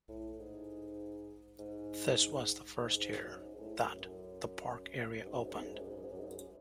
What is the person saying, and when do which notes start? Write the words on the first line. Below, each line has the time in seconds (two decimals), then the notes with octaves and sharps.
This was the first year that "The Park" area opened.
0.09 A2
0.40 G#2
1.59 G#2
2.80 G#2
2.99 G#2
3.19 F#2
3.39 G#2
3.55 G#2
3.60 A2
3.80 F#2
4.00 F#2
5.20 F#2
5.27 G#2
5.34 F#2
5.43 G#2
5.51 F#2
5.57 G#2
5.66 F#2
5.74 G#2
5.81 F#2
5.89 G#2
5.97 F#2
6.05 G#2
6.12 F#2
6.20 G#2
6.27 F#2